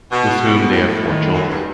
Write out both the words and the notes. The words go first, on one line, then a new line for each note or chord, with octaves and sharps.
With whom they have four children.
B2
B3 E4 G4
A2
D#3 G3 D#4
F#2
G2